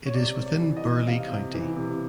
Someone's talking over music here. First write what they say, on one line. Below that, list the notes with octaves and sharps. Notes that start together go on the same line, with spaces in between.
It is within Burleigh County.
C#5
C3 D5
C3
D5
E3
D#5
E3
C3 F5
C3
E3
C3